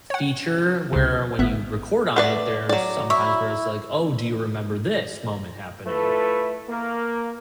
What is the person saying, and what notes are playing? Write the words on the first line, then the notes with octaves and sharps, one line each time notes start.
feature where, when you record on it, there's sometimes, where it's like, "Oh, do you remember this moment happening?"
C#5 F#5
C#2 C#3
G#1 B3 E5 F#6
A3 B4 D5 F#5
F#3 D5
E4 C#6
A3 E4 F4 A4 B4
A#3